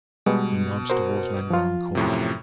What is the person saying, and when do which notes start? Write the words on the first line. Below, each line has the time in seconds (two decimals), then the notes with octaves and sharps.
He nods towards Llangorren Court.
0.26 B2 G3 G#3 B3
0.90 F#4 A#4 C5
1.50 F3 F4
1.95 F#2 A2 C3